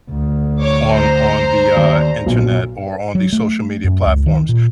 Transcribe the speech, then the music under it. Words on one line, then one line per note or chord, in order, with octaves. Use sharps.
on on the, uh, internet or on the social media platforms.
D2
C#5 D6
C5 A#5
D#2 D5
B1 A#2
F#3
A3
F#2
C#2
D#3
A#2